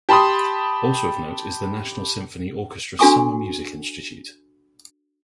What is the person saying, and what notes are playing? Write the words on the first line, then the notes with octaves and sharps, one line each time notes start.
Also of note is the National Symphony Orchestra Summer Music Institute.
G4 A5 B5 C6 D#6
D4 F#4 A4 G#5 C#6 D#6